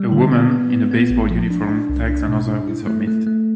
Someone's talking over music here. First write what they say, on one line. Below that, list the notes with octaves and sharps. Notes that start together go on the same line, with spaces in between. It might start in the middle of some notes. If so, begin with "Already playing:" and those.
A woman in a baseball uniform tags another with her mitt.
Already playing: G3
D3
B3
B3
B3
B3
A1
F3
D4
D4
C2
D4
B2
D4
E4
A3
A3
A3